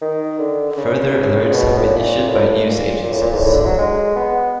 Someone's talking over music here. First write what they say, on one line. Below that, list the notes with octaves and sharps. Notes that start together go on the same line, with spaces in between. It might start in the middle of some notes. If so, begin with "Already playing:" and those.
Further alerts have been issued by news agencies.
D#3
D3
D3
C#3
A#2
B2
A2
A#2
A2
A#2
A#2
A2
A#2
G#2
A2
D3
F#3
G#3
B3